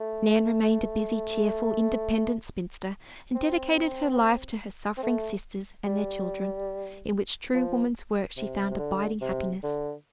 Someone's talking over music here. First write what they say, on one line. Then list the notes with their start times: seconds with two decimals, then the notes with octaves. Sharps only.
Nan remained a busy, cheerful, independent spinster, and dedicated her life to her suffering sisters and their children, in which true woman's work she found abiding happiness.
0.01 A3
3.35 C4
4.97 C4
5.03 A3
5.86 G3
7.54 F3
8.37 C3
8.71 C3
8.79 D3
9.22 C3
9.63 D3